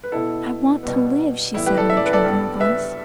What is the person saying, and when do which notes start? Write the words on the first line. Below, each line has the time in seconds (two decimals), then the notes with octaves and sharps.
"I want to live," she said, in a trembling voice.
0.04 B4
0.12 B2 B3 E4 A4
0.83 B2 G3 B3
1.54 A2 E3 G3 B3 E4
1.66 G4 B4
1.77 A4 D5
1.90 E5
1.97 D5
2.06 B4
2.13 A4 D5
2.25 G2 G3 B3
2.60 B4 E5